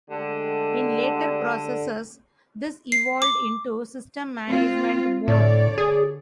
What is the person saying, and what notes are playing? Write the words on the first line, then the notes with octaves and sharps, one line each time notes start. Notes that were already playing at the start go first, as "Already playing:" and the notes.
In later processors, this evolved into System Management Mode.
D3 G#3 A3 G4
C7
D6
C4 F4
A2 D3 C#5 D5
G#4